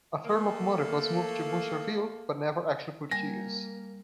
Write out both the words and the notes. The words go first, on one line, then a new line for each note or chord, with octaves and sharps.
A third locomotive was moved to Boucherville, but never actually put to use.
A3 A#3
G3 A#3 G#5 A#6